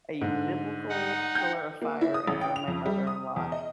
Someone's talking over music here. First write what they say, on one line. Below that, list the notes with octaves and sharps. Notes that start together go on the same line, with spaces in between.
a "biblical pillar of fire" in front of my mother-in-law,
G#2 D3
D#4 F#5
G5 G6
A#3
E4
D#6
A1
G5
F7
F2
G3
D#6
E2
D#5